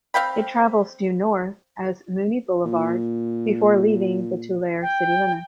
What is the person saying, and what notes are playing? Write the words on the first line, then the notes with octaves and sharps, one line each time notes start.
It travels due north as Mooney Boulevard before leaving the Tulare city limits.
C4 F5 G5 B5
A#2
G5